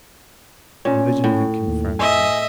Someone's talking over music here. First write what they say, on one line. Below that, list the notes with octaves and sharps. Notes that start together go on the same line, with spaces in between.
Religion had confirmed him.
A#2 C#4 C#5
A2
D#2
D#5 E5 G#5